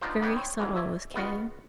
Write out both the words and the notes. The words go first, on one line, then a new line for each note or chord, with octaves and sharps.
Very subtle was Kay.
B3 D4 D#4 F4 C5
A#3 B3 D4 D#4 C#5 G5
C4 C#5
A1 F2 G#2 E3
C#5 D5 E5
C#2 B3 F4 F#4 F#5